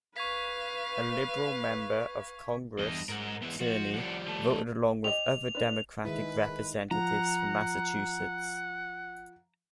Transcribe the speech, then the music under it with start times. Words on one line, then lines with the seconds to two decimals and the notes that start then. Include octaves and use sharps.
A liberal member of Congress, Tierney voted along with other Democratic Representatives from Massachusetts.
0.16 B4 F5 C#6 G#6 B6
2.78 E2 G2 D#5
3.09 G#2 A#4 F#5
3.42 G#2 E3 B3 E5
3.60 F3 F#4
3.94 F3 G3 D5 F#5
4.28 A3
5.04 G4 D#5 F7
5.55 D4 B4
6.05 D#3 G#3 E4 B4
6.91 F3 F#5 A#5